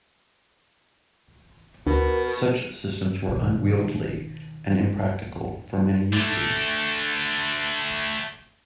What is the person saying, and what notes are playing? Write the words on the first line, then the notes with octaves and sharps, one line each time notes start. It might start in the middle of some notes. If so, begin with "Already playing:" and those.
Such systems were unwieldily and impractical for many uses.
D2 B2 A#4
B2 D#3
D3 A3